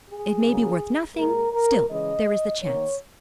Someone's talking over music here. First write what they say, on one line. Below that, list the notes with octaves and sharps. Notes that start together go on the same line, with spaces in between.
It may be worth nothing, still there is the chance.
G#4
C#3 F#3 A#3
A#2 G#3 A#4
A#4
C#3 E3 G#3 D#5
D#3 A#3 C#5